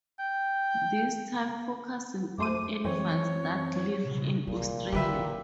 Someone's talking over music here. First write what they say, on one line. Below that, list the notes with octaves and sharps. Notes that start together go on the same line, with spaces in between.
This time focusing on animals that live in Australia.
G5
F#2 C5 D6 D#7
F#2 E3 C4 C#5
C2 A#2
D3 E3 G4 B4 E5